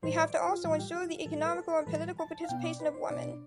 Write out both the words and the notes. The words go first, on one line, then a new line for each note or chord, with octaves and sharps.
We have to also insure the economical and political participation of women.
A2 E3 G3 C5
D5
C5
F4
A2 E3 G3 F4
G4
F4
A2 E3 G3 A4
B4
A4
A4
A2 E3 G3 B4
A5
F5
B2 B3 D4 G5
D5
B4
C5
B2 B3 D4 D5